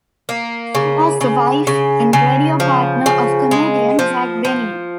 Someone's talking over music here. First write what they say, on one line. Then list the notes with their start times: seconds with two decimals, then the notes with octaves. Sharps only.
She was the wife and radio partner of comedian Jack Benny.
0.29 A#3
0.75 C#3
1.21 C#3
1.67 C#3
2.13 C#3
2.60 F3
3.06 C#3
3.51 G#3
3.99 F3
4.45 F3